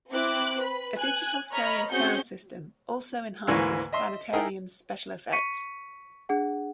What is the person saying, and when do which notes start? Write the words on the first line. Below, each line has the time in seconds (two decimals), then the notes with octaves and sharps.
A digital stereo sound system also enhances planetarium's special effects.
0.11 C4 E4 D6 F#6
0.60 B4 B5
0.99 G#5 F#6
1.52 C#5 D#5 A#5 B5 F6
1.90 C4 C#4 F#4 G#4 G6 C#7
3.47 D2 G#2 E3 A#3 B4 C#6
3.93 D#5 E5 C6
4.33 D#4 E4 G#4 A#4 G5
5.32 C#6 B6 C#7 D#7
6.29 D4 G#4 F#5